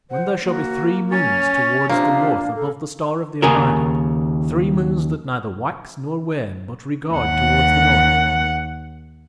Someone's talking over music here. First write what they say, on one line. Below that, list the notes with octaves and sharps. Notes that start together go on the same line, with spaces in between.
When there shall be three moons towards the north above the Star of the Abiding, three moons that neither wax nor wane but regard towards the North.
C5 F#5
A#3 F#4
C#4 A6
C3 F3 A#3 D4 F4
A4
D#2 C#3 G#4 A#4
D#2 F#5